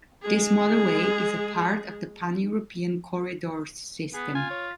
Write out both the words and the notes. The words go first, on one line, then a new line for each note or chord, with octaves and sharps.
This motorway is a part of the Pan-European corridors system.
G#3 G#4
B3 G#4
F4 G#5
C#5